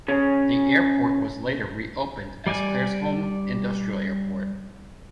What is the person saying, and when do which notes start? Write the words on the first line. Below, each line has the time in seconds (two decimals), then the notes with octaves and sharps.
The airport was later reopened as Claresholm Industrial Airport.
0.08 C#3 C#4
2.47 G3 D5 G#5